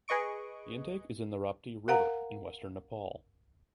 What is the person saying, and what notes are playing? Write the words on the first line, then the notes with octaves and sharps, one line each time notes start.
The intake is in the Rapti river in western Nepal.
G#4 B4 D#5 C#6 D7
A#4 F5 F#5 A#5